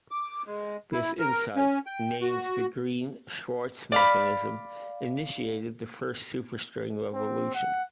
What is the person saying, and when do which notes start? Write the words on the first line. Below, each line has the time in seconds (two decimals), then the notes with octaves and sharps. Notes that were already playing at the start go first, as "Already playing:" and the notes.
This insight, named the Green-Schwarz mechanism, initiated the First Superstring Revolution.
0.11 D6
0.46 G#3
0.93 E4
1.19 A#4
1.56 C#4
1.86 G5
2.22 F#4
3.92 D5 F5 B5
7.13 C4
7.54 F#5